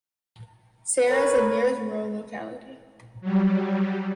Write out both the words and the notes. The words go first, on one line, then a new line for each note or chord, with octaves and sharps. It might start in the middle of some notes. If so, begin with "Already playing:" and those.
Saray is the nearest rural locality.
A#4 B4 C#5
F#3 G3